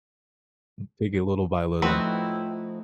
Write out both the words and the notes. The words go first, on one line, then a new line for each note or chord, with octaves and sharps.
M take it little by little.
A2 F3 A3 C4 D#4 E4 F#4 B4